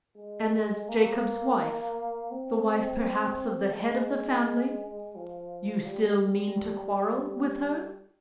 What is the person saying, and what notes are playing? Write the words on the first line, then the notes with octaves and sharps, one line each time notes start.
"And as Jacob's wife--the wife perhaps of the head of the family--you still mean to quarrel with her?"
G#3
A#3
C4
G#3
F3
G3